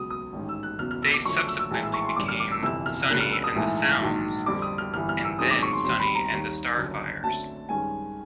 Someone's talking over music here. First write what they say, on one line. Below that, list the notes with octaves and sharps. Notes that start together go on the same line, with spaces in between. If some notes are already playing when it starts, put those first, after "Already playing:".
They subsequently became Sonny and The Sounds and then Sonny and The Starfires.
Already playing: C#2 B2 F#3 D#6
D#6
A1 G#2 D#3
E6
F#6
F#1 E2 B2 F#3 F6
F6
E6
D6
F#2 D3 F3 A3 C#6
D6
E6
E6
A#1 A2 E3 G#3
E6
C#6
C6
A1 G2 D3 D6
F6
D6
E6
G1 F2 C3 E3 E6
F6
C#2 C#3 F#3 A#3 D4 F#6
F6
E6
D#6
A#1 G#2 E3 A3
A#1 G#2 D#3 F#3
F2 D3 G3 C4 D6
D#6
F6
G1 G2 E3 F6
F6
E6
G1 F#2 D#3 G#3 C4 D#6
D6
C#6
C6
D#2 D#3 G3 C4 C6
B5
A#5
D#2 D#3 G3
F#1 F#2 D3
F#2 D3 F#3 A3 C4 A5
G2 D#3 G#3 C#4 G#5